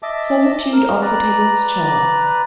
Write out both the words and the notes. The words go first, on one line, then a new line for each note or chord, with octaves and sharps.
Solitude offered him its charms.
D#5 E5 A5 D6
A#4
B4 D5 A#5